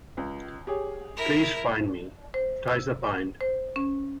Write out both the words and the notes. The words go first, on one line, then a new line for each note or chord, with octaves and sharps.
Please fine me, Ties That Bind.
C#2
G4 G#4 C#5
E4 A#4
C5
E6
C5
C#4